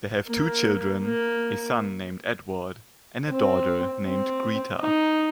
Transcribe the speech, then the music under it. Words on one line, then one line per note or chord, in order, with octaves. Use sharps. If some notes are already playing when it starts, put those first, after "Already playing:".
They have two children, a son named Edward and a daughter named Greta.
A#3
A#3
C4
C4
D#4